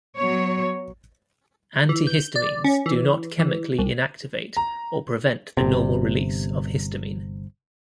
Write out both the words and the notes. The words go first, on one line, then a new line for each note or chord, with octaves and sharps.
Antihistamines do not chemically inactivate or prevent the normal release of histamine.
F#3 B3 C#5
E3
G6
D5
C#4
E3
E3
C2
A#5
G1 C3